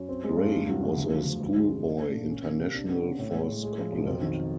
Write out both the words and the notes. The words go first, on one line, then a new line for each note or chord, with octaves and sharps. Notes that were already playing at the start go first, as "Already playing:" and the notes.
Gray was a schoolboy international for Scotland.
Already playing: F#2
C4
G#3
G2
E2
F#3
E2
D2
F3
D2
G2
G#3
G2
D4
A3
A#2
C#4
A#3
C3
D4
B3
C#3
A2
G#3
A2
G#3
F3
B1
F2
D#3